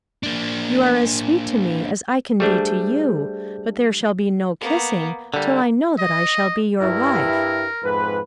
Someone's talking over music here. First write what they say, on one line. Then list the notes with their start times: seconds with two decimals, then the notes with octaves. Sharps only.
You are as sweet to me as I can be to you, but there shall be no kissing till I know that I shall be your wife.
0.23 A#3 D4
2.40 G3 A3 D4 G#4 C5 G6
4.61 A#3 B3
5.34 D3 G3 A#3
5.99 D#5
6.81 G2 E4 A#4
7.83 F2 G#2 B4